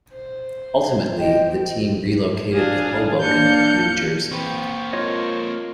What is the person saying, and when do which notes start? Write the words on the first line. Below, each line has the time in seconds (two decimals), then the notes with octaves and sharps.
Ultimately, the team relocated to Hoboken, New Jersey.
0.12 C5
1.19 D#5 G5
2.53 D4 G#4 F5
3.19 A#3 D4 F5 G6 C#7
4.31 A#3 C4 G4 B4 C#6
4.93 F4 A4 A#4 C#5 D#5